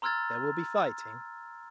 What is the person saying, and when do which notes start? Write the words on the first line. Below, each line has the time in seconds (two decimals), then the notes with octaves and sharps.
There will be fighting.
0.02 A#5 C6 E6 F6 G#6 A6